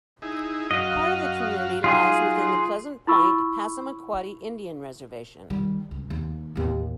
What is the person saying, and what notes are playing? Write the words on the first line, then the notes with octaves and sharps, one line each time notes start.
Part of the community lies within the Pleasant Point Passamaquoddy Indian Reservation.
D#4 E4 G#4
F#2 F#4 D#5 F5
F#3 D#4 F4 G#4
E4 F4 B5 C#6 E6
D#3 G3
C#2
D#2
A1 D#2